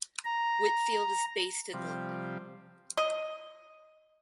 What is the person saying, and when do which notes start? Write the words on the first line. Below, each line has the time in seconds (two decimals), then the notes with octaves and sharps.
Whitfield is based in London.
0.25 A#5
1.74 C3 F3 G3
2.97 D#5